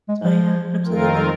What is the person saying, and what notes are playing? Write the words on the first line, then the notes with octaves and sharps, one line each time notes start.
So, yeah, absolutely.
G#3
F3
F2 D#3 C4 F4 A#4